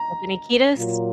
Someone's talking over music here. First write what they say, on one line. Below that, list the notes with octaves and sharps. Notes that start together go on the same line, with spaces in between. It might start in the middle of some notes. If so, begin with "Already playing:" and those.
Anthony Kiedis?
Already playing: A#5
A#2 F#3 A#3 F4